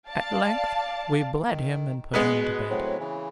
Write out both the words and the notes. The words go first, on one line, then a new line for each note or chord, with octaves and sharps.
At length we bled him and put him to bed.
D5 F5 A5
D#3
A#2 G#3 B3 B4
B2
A2 F#3 C4
C#3 E3